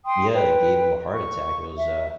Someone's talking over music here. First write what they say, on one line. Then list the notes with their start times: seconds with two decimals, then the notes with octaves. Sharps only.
yeah, it gave him a heart attack, it was, uh
0.05 G5 C6 D#6
0.33 B4 G5
1.12 C#6
1.79 E5